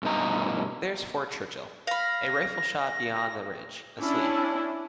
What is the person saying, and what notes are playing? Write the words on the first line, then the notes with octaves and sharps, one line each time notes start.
There's Fort Churchill, a rifle-shot beyond the ridge, asleep.
G2 B2 D#4 A#5
F5 B5 A#6
C#4 D4 E4